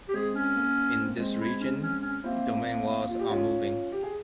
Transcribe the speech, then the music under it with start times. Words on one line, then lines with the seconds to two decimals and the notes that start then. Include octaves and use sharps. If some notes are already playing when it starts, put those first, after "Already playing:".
In this region, domain walls are moving.
0.08 G4
0.13 G#3 C4 G#4
0.35 C#4
0.56 A#3
0.98 C4
1.07 A#3
1.16 G#3 C4
1.40 E4
1.60 C#4
1.82 C#4
2.02 C#4
2.24 A#3 C4 E4
3.09 F4
3.19 G4
3.30 C#4 F4
3.92 G4
4.03 G#4